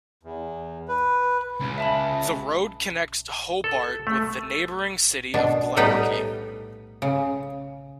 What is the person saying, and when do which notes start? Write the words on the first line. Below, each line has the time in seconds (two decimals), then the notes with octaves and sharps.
The road connects Hobart with the neighbouring city of Glenorchy.
0.23 E2
0.88 B4
1.60 C#2 C#3
1.78 E5 A5 B5
3.64 A4
4.07 A3
5.34 B2 D4
5.77 A2 G3 B3 D#4 B4 G5
7.02 C#3